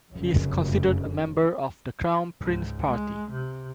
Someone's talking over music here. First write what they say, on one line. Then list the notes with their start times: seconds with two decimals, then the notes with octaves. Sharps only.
He is considered a member of the Crown Prince Party.
0.12 F1 F#2 C#3
2.41 C#2 G#2
2.87 G#3
3.31 C3